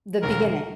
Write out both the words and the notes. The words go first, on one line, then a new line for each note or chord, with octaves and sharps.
the beginning.
E1 D#2 C#3 A#4